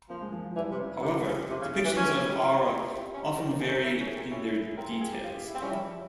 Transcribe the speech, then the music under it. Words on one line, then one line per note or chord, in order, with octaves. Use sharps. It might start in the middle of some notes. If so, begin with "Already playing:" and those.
However, depictions of Ara often vary in their details.
F3 A#3
G#3
F3
F3
E3 G3
C3
C#4
E4
C3 F4
G4
C#3 G#4
C3
C#3
C#3
E3
C#4 G4
G#4
G4
G4
E4
F4
C4 G4
C#4
C4
C#4 A#4
A#3
C4
G#4
C#4
E4 A#4
C#4
G#4
C4
C#4 E4
C4 A#4
G#4
G#4
G4
F4
G4
F4
E4
C4
G3 C#4
F3 E4